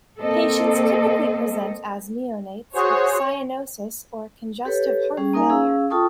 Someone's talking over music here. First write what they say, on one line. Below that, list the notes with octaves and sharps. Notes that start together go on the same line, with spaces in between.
Patients typically present as neonates with cyanosis or congestive heart failure.
A#3 C4 A4 D#5
F#4 G#4 C5 C#5
G4 A4 B4 C#5
G3 C#4 G#4
A#3 D#4 A#4 E5 G#5 A#5
C#4 G#4 F5 E6
F4 A4 G5 A5 C#6 D#6